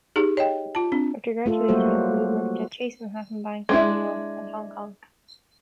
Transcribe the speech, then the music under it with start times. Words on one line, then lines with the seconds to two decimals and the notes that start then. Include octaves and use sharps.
After graduating, Woo worked at Chase Manhattan Bank in New York and Hong Kong.
0.16 D#4 G4 G#4
0.37 C#5 D#5 G5
0.75 F4 A5
0.92 C4 D4
1.46 A3 F4 A4
1.68 F#3 G3 A#3 F#4 C5
3.69 G#3 D4 E4